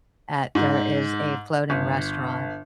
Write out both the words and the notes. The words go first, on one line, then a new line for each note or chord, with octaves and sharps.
at there is a floating restaurant
G#2
G1